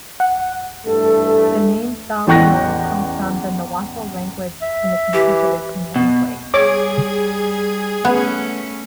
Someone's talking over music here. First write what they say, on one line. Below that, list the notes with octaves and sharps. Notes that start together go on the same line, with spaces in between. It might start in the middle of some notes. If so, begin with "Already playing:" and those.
The name Sahuayo comes from the Nahuatl language, and is interpreted in many ways.
F#5
G2 E3 A3 A4
A1 E2 G5 C#6 F#6 A#6
E5
E3 G4
B2
G3 G#4 C#5 D6 G#6
A3 B3 C#4